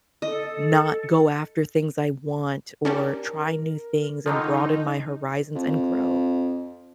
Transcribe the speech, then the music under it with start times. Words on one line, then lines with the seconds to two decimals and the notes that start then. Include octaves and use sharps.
not go after things I want or try new things and broaden my horizons and grow.
0.22 A4 D#5
2.85 C#4 D4 G4 A#4
4.26 D3 D#3 F3 D#4 A4
5.55 F2